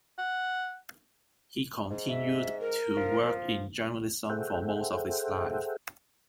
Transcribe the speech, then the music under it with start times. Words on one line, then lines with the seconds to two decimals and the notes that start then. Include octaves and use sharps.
He continued to work in journalism for most of his life.
0.18 F#5
1.91 G#2
2.08 E5
2.60 A#4
2.97 F3
4.30 G#4 A4 C5 E5 F#5 G5